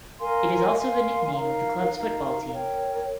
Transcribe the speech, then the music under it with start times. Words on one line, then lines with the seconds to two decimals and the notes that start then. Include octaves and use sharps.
It is also the nickname of the club's football team.
0.18 A#4 F5 G#5 C6
0.77 A#4 F5 G#5 C6
1.35 D#4 A#4 F5 A#5
1.94 D#4 A#4 F5 A#5
2.52 A#4 C#5 G5